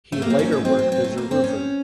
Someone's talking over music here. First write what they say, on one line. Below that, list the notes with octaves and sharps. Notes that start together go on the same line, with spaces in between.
He later worked as a roofer.
A3
A#3
C4
A2 F#3 C#4
D#4
C4
C4
C4
A3
A#3
C4
C#4